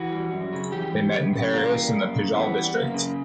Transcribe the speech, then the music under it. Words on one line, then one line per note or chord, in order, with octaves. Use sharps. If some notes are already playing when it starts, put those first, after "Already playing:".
They meet in Paris, in the Pigalle district.
Already playing: E3 F#4
G3
F#2
C#3
E3 G4
G3
F#2
C#3
E3 A#3
G3
F#2
C#3
E3 B3
G3
F#2 A#3
C#3